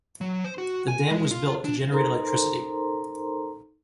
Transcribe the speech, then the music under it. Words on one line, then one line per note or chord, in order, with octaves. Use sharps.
The dam was built to generate electricity.
F#3
C5
F#4
G#5
G#3
F4
D4
D#4 A4 A#4 C5 A#5 C6